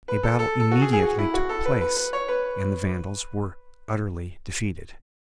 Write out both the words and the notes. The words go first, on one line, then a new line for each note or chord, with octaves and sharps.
A battle immediately took place, and the Vandals were utterly defeated.
B4
A4
A4
A4
F#4
G#4
G#4
F#4
E4
F#4
A4
B4
B4
B4
C#5
B4